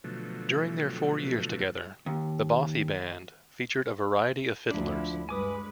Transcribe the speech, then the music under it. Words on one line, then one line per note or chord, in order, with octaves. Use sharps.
During their four years together, the Bothy Band featured a variety of fiddlers.
B2 D3 F3 F#3 A3
D#2
D2 F3 D4 E4
G2 G#3 B4 G#5 D6 D#6